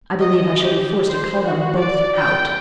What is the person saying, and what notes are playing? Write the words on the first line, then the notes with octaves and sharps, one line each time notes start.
I believe I shall be forced to call them both out.
D#5
G4
C5
F#4
D5
G5